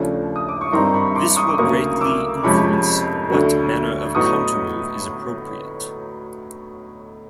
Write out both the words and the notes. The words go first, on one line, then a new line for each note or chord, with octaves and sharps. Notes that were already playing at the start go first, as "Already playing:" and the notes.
This will greatly influence what manner of countermove is appropriate.
Already playing: D#2 C#3 F3 A3 D4
D#6
D6
C#6
G2 D#3 G3 C4 D#4 A#5 C6
B5 C#6
C6 D6
C#6 D#6
D6
D2 C#3 F#3 A#3 C#6 D#6
D6 E6
F2 C3 F3 G#3 C#4 B5 C#6
D2 D3 F#3
A2 F#3 B3 D#4 C#6 D#6